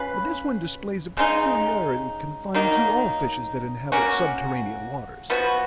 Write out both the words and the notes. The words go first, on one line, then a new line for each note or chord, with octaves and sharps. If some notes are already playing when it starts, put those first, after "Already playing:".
But this one displays a peculiarity confined to all fishes that inhabit subterranean waters.
Already playing: C#4 F4 B4
C#3 G#3 D#4
D#3 F#3 A#3 D#4
A#3 C#4 F#4
F3 B3 F#4